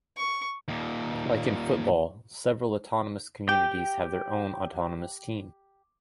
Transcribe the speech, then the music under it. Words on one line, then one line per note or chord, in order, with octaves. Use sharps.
Like in football, several Autonomous Communities have their own autonomous team.
C#6
D#2 A#2
G4 G5